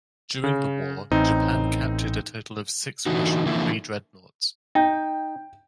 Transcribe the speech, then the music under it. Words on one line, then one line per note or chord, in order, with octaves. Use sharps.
During the war, Japan captured a total of six Russian pre-dreadnoughts.
C#3
A1 C4 D#4
D3 E3 D#4 F#4
D3 E3 F3 A#3 E4
D#4 G5